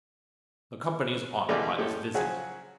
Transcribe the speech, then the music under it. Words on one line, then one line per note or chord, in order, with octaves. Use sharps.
"The Company is honored by this visit."
B1 C#3 E3 G3 A3 D5
A2 G#3 G4 A4
C#3 F3 F#3 F#4 G#4